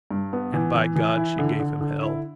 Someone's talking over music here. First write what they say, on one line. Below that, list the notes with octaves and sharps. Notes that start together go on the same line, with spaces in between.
And, by God, she gave him hell.
G2
B3
E3
E3
E3
E4
D3
D3
D3
E4